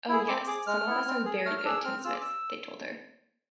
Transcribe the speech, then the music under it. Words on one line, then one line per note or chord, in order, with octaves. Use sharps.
"Oh, yes; some of us are very good tinsmiths," they told her.
E4 G#4
C4 D6
G#4 D6
G#3 F6
B3 E4
C4
G#4
A3 F6
F6
D4 G#4 E6
C4 F6
F4 G#4 E6
D6
E6